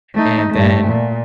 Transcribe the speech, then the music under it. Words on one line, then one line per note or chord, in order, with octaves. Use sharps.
And then
A3 D#4
G2 A3
A#2